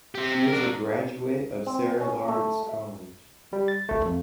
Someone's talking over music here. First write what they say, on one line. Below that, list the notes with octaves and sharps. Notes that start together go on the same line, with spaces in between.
She is a graduate of Sarah Lawrence College.
C4 G4
D4 A#4
C4
C#4
A3
E5
G3
A6
A3
F2